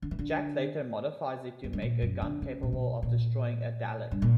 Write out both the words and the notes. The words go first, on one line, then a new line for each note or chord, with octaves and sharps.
Jack later modifies it to make a gun capable of destroying a Dalek.
D3
E3
D3
F#2
G2
A#2
F#2
D3
C#3
A#2
B2
A#2
G2
A#2